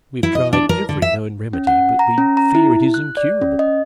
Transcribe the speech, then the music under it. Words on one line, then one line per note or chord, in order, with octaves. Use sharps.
We have tried every known remedy but we fear it is incurable.
E4
D#5
D4
A#4
D3
E5
C#4
F#5
A#5
C#4
A#5
E4
F#6
D5
C#4
D#5